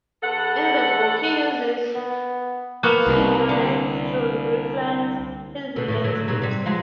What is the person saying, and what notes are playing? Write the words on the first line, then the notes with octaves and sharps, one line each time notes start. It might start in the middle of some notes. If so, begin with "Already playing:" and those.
In the book he uses pseudonyms to reference his relatives.
E2 A4 F#5
B3
A#3 B3 F#4
C2
D3
B2 D3
A2 E3
D3 F#3 A3
G#2 B2 F#3
C3 G3
F3 F#3 G#3